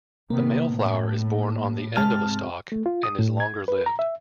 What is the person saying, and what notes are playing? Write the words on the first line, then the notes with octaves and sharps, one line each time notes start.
The male flower is borne on the end of a stalk and is longer-lived.
C3 D#3 A#3 B3
A2
G#2 C3 G#3 A5 F6
A3
F4
D#6
A2
G#6
B4
A#5
E5